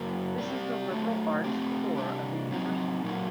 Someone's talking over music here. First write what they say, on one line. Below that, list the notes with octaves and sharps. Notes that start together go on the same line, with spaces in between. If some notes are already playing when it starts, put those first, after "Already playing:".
This is the liberal arts core of the university.
Already playing: F#2 F#3 A#3
G3 C4 G4 D5
D3 F#3 A3
A3 C4 G4
C3 G3 D4
F#3 C4 D#4
A#2 F#3 A#3 F#4